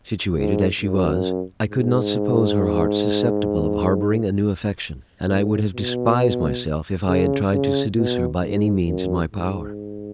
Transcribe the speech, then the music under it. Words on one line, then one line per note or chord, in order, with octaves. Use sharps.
Situated as she was, I could not suppose her heart susceptible of harbouring a new affection, and I would have despised myself if I had tried to seduce her by any means in my power.
G#2
F#2
G#2
A2
B2
C#3
C#3
B2
G#2
F#2
G#2